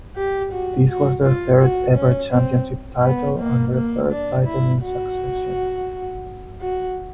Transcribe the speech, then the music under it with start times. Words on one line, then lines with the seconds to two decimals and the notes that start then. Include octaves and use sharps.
This was their third ever championship title and their third title in succession.
0.17 G4
0.52 F#4
0.88 F#4
1.24 F4
1.60 F#4
1.96 C#4
2.32 C4
3.03 B3
3.39 A#3
3.74 A#3
4.10 D4
4.46 E4
4.82 F#4
6.61 F#4